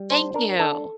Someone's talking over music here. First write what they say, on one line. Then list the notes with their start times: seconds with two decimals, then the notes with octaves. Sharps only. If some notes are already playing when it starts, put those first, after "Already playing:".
Thank you.
Already playing: G3
0.10 D4 C5
0.34 D4 A#4
0.59 D4 A4